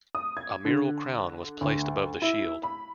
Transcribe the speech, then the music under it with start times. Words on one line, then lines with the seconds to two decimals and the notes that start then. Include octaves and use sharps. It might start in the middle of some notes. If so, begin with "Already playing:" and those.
A mural crown was placed above the shield.
0.15 D#6
0.37 G#6
0.65 D3
1.61 D2
2.22 E4
2.63 B5